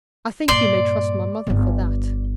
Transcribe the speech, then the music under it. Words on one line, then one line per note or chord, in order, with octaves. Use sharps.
'I think you may trust my mother for that.'
G2 A#2 D5 C6
D1 G1